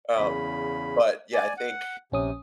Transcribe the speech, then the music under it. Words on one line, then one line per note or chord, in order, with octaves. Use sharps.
um, but, yeah, I think,
E2 C#3 B5
D5 G#5
F#5
A#1 C3 C#4 D#6